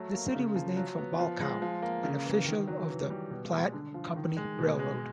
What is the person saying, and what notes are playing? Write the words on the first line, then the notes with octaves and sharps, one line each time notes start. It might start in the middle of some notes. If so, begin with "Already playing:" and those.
The city was named for Bolckow, an official of the Platte Company Railroad.
Already playing: F#3 A3
A#3
C#3
F3
F#3
B3
F3
G#3
F3
A#3
C#3
E3
D#3
F#3
E3
G3
B2
G#3
D3
F3
D#3
G#3
B2
G#3